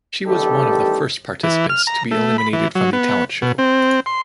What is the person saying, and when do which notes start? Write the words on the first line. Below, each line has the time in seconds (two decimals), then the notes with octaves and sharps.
She was one of first participants to be eliminated from the talent show.
0.25 A1 E2 D#3 G3 G4 A4
1.43 E3
1.69 F6
1.87 A#5
2.11 A3
2.38 B5
2.53 E3
2.75 F#3
2.93 B3
3.42 B2
3.58 C4
4.06 C6